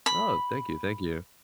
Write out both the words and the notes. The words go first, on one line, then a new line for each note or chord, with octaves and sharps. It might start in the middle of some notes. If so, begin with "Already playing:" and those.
Oh, thank you, thank you.
B5